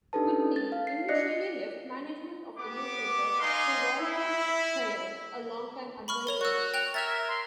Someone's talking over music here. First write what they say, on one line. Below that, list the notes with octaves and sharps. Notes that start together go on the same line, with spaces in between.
Whitney initially left management of the newspaper to Walter Thayer, a longtime advisor.
D4 D#4 G4 A4 B4 A5
C#4
A6
F5
C7
D4 D5 D#5 F#6 A#6 C#7
B3 G4 D6
D#4 D#5 F5 G#5 C6
E4
B5 C#6 F6
A#4 C#5 F7
F#4 C#6 E6 F#6
G5 F#6 F7
A#4 E5 F6 G#6 A6
C6